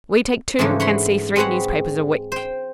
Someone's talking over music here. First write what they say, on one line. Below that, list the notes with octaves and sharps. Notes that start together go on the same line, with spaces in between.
We take two and see three newspapers a week.
G#2 C#3 E3 F3 A3 D4
C#5 F#5 B5 C6
G#3 C4 B4 C#5 F#5
C5 G5